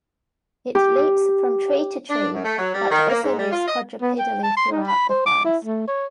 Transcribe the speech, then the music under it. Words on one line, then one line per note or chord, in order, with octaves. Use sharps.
It leaps from tree to tree but also moves quadrupedally throughout the forest.
G4
D4
F#2
A3
F#3
G3
D#3
A#3
G#2
G3
F4
D#5
B3
G5
A5
C6
D#4
B5
C5
D6
E4
A3
C#5